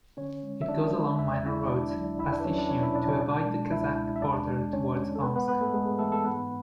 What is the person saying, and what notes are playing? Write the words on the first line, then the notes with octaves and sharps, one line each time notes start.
It goes along minor roads past Ishim to avoid the Kazakh border towards Omsk.
D3 C#4 C#5
G#3
E5
D3 D4 D5
G#3
E2 E5
D5
D3 E4 E5
E2 D4 D5
F#3
E2 E4 E5
D4 D5
B4
F#3 C#4 C#5
D4 D5
B2 C#4 C#5
E4 E5
B2 D4 D5
C#4 C#5
G#3 D4 D5
G#3
C#2 E4 E5
G#3
E5
E2 D4 D5
G#3
D3 C#4 C#5
G#3
A4
G#3 B3 B4
B3 B4
G#2 B3 B4
A3 A4
G#2 G#3 G#4
E3 A3 A4
A4
G#2 B3 B4